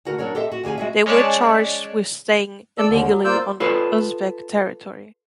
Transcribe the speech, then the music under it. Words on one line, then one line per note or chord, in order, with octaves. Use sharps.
They were charged with staying illegally on Uzbek territory.
D2 D3 F#4 A#4
F#3 D4 A#4 C#5
G4 A4 C5 D#5 E5
F#4
D2 G4 G#4 F5 G#5
G#3 F#4 E5
G#3 C#4 C#5 D5 A5 F#6
A4 D5 E6
D#2 D3
F#3
A#3 F4 C5 D5 E6 G6
F4 A4 B4